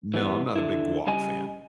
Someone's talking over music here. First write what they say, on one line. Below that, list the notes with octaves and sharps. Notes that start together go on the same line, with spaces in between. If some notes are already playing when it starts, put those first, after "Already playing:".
No, I'm not a big guac fan.
E3 G3 B3
D3 E4
C#3 G3 D#5 G#5